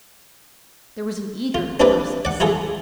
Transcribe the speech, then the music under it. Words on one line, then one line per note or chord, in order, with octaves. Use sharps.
There was an eager chorus of assent.
F4
C4 D4 E4 G4 B4 D5
D5 F#5
E4 F4 G#4 A4